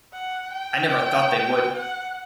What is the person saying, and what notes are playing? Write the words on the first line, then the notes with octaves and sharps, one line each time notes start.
I never thought they would.
F#5
G5
F#5